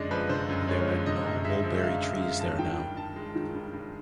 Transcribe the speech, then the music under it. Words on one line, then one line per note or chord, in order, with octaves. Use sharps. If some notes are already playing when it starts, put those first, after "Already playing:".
There are no mulberry trees there now.
Already playing: F#2 D3 G#3 D5 D#5
F3 B4
D3 C5
F#2
G#3 C#5
F3
D3 D#5
F#2
G#3 E5
F3
E5
D3 F5
F#2 E5
G#3 F5
F3 A5
D#3 G5
G2
G2 A5
G#3
D#3
G2
G2